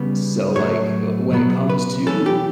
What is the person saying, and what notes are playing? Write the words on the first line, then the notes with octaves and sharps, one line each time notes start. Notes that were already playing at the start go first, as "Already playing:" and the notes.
so, like, uh, when it comes to
Already playing: C#3 G3 B3
A2 F#3 A3 C#5
B2 F#3 B3
B4
E3 A3 C#4 A4
G4